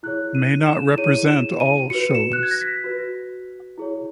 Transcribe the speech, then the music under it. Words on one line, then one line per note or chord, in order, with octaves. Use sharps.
May not reprsent all shows.
E4 G#4 C#5 F#6
D#7
E7
E4 G#4 C#5 D#7
E7
D#7
F#4 B4 C#7
E7
F#6
G#6
A#6
B6
F#4 B4
E4 G#4 C#5